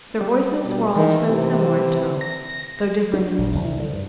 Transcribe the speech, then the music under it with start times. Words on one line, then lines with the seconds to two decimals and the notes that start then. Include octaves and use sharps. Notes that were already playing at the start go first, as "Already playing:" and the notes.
Their voices were also similar in tone, though differing in the key.
0.21 G3
0.64 B2
0.95 D#3 E3
1.29 C3
2.21 A#6
3.13 D4
3.38 A#1
3.54 C2
3.79 D3
3.93 G2